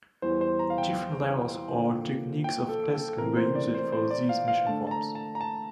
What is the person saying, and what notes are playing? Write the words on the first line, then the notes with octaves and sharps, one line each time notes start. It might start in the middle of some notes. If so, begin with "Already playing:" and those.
Different levels or techniques of tasking were used for these mission forms.
E2 E3 G3 C5
C5
A#5
F5
G5
D3 F3 A#3
G5
A4
A4
C3 E3 A3 A#4
C5
D5
C5
C5
D5
F5
F5
D3 A3 D4 A5
A5
A#5
A5
A#5
A5